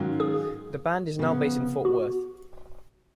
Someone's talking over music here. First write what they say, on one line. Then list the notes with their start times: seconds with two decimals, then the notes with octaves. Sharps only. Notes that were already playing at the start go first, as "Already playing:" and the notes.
The band is now based in Fort Worth.
Already playing: G#2 D#3 F#3 C#4 F4
0.20 G#4
1.19 C#3 F3 B3
1.85 F#4